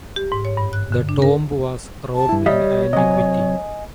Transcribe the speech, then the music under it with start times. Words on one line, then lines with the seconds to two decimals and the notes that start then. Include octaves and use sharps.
The tomb was robbed in antiquity.
0.16 G4
0.32 G#2
0.45 C#5
0.57 G2
0.73 F#6
0.92 D3
1.09 D4
1.22 A#4
2.15 A5
2.29 G2 E4
2.46 G3 C#5 D#5 E5
2.93 C3 F#3 D#5 G#5